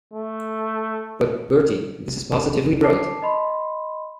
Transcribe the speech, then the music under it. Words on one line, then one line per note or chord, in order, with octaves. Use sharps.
But, Bertie, this is positively bright.
A3
B4 A5 D6 C7
D#5 B5 C6